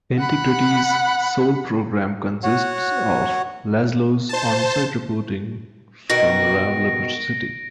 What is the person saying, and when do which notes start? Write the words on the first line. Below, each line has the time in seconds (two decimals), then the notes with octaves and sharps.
Integrity's sole program consists of Lazlow's on-site reporting from around Liberty City.
0.18 F#5 B5
2.44 F#4 C#5 F#5
4.29 C5 A5
6.10 B2 D#3 F#4 A#6 D7